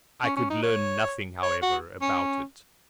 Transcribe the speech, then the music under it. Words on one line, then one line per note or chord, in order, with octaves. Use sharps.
I could learn nothing, however, about it.
C#4
C#4
D#4
C#5
C#5
F#4
C#4